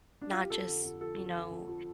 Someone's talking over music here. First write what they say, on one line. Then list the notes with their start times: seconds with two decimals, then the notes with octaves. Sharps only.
not just, you know
0.21 D4
0.31 F4
0.41 G4
0.50 F2 A4
0.67 D3
0.84 F2
1.00 F3 A4
1.18 F2
1.26 A4
1.35 D3
1.51 F2
1.69 F3